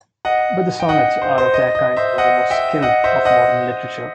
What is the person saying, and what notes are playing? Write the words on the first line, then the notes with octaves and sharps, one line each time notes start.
But the sonnets are of their kind among the most skilled of modern literature.
D#5 F#5
G5
D#5 F#5
C5
C5
D#5
D#5
C5 E5
D#5 F#5
E5 G5
D#5 F#5
C5 E5
D#5 F#5